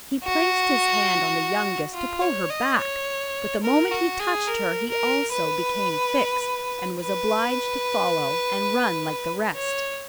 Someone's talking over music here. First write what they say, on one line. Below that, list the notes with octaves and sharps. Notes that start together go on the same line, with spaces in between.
He placed his hand on the youngest to pull her back, but the moment he touched her he also became fixed, and was obliged to follow and run like the rest.
F#4
F4
C#5
D#5
C#5
A#4
F#4
G#4
A#4
A#4
B4
B4
C#5